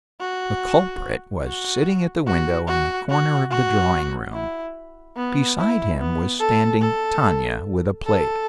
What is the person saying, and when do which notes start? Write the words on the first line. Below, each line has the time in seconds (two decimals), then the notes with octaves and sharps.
The culprit was sitting at the window in the corner of the drawing room; beside him was standing Tanya with a plate.
0.20 F#4
1.44 F#4
2.26 F#4
2.67 F#4
3.09 F#4
3.50 F#4
4.33 E4
5.16 B3
5.57 E4
5.98 B3
6.39 A4
6.81 A4
8.05 A4